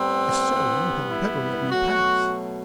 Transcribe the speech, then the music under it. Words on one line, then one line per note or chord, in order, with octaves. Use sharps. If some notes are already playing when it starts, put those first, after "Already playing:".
"If so, you had better let me pass."
Already playing: A2 G3 B3 C4
G2 E3 G3 B3
E4
B2 F#3 A3 F#4